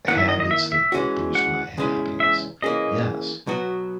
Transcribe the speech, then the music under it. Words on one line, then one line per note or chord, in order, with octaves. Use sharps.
habits that that boost my happiness. Yes,
D#3 A#3 E4 F#5
E5
D#5
D#5
E5
E5
E3 G#3 C#4 F#4
F#5
E2 C#3 G#3 C#4 E4
E5
E3 A#3 C#4 G#4 D#5
B2 F#3 B3 F#4